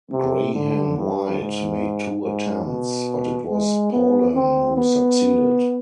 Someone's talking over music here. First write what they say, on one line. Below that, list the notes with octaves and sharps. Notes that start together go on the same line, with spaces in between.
Grahame-White made two attempts, but it was Paulhan who succeeded.
C3
D3
G2
G#2
G#2
B2
G#3
B3
C4
B3